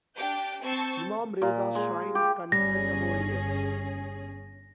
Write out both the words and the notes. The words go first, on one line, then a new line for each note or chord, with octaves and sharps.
Imam Reza's shrine is considered the holiest.
D4 G4 G5 D6 G6
C4 A5 C#6 E6 G6
A#2
G#3
G4
G1 G3 C#4 G#4 A#6